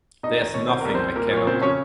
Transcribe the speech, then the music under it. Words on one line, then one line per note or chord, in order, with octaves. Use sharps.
There is nothing I cannot do.
C2 D#4 D#5
D#3
C2 C#5
C3 C5
C2 A#4
C4 C5
C2
A#2 A#3 A#4
A#2
C#5
C#3 C4 C5
C#3 C#4 C#5